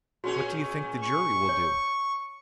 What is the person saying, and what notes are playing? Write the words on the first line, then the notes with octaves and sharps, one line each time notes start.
"What do you think the jury will do?"
A#2 C#4 F#4 G#4
C#6
C#5